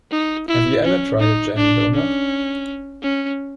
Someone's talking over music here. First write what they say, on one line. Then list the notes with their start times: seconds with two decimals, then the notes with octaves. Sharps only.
Have you ever tried a Jam Donut?
0.11 D#4
0.48 E4
0.84 C#4
1.20 D#4
1.56 D4
1.94 C#4
3.02 C#4